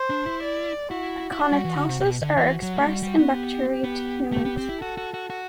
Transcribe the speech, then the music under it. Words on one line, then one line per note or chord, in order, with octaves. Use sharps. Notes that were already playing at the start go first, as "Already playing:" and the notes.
Aconitases are expressed in bacteria to humans.
Already playing: C5
D4
E4
D5
E4 F#4
E4
D4 F#4
G3
E3
D3
C3
C3
B2
D3
E3 F#4
F#3
A3
G3
G3
B3
G4
B3
A3 G4
B3
C4
E4
F#4 A4
F#4
F#4
F#4